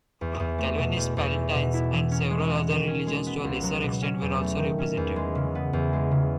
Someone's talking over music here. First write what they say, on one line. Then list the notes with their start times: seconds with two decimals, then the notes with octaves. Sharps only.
Calvanist Palatines and several other religions to a lesser extent were also represented.
0.21 E2
0.40 E2
0.58 A3
0.79 B2
0.96 E2
1.17 E2
1.35 A3
1.55 B2
1.74 E4
1.93 E3
2.11 C#4
2.30 G#3
2.50 F#4
2.69 D#3
2.87 C#4
3.07 G#3
3.26 B3
3.44 C#2
3.63 F#3
3.83 B2
4.02 C#4
4.22 E2
4.40 A3
4.59 D#3
4.79 C#4
4.97 E2
5.16 G#3
5.35 C#3
5.55 B3
5.73 E2
5.93 G#3
6.11 C#3